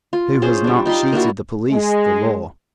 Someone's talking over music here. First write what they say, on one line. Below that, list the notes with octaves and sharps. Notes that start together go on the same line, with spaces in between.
Who has not cheated the police, the law?
F4
C#4 G#4 C5
G3 D4
D#4 F4 G4 C6
A#3 D4 E4 F#4
G#3